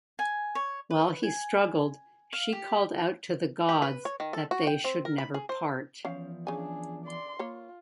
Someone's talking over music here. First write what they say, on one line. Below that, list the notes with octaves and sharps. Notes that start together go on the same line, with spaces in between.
While he struggled, she called out to the gods that they should never part.
G#5
C#5
B4
G#5
F5
G4
G4
B4
C#5
D#3
A4
F#4
G5
C4
A#4
B5
G#4
C5
E2 F3 C#4 F5
C#3 D4 G#4 G#5
D5 C6
A#3 F4 C#5